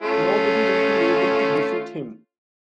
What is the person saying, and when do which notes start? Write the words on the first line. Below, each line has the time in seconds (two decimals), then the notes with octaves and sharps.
Nobody will be able to defeat him.
0.02 A3 C#4 F4